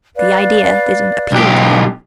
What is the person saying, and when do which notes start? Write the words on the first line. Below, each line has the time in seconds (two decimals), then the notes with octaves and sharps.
The idea didn't appeal to him.
0.16 B4 D5 F5
1.32 B1 G4